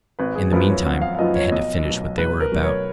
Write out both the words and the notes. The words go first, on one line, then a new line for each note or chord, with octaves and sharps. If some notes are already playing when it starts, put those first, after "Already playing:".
In the meantime they had to finish what they were about.
G#1 B4
G#4
F#2 F3 B3 F4 B4
C#5
G#1 F#5
F5
F5
F#2 F3 B3 F4 D#5
C#5
B1 D#5
B2 F#3
B1 B4
A#4
B2 F#3
C#5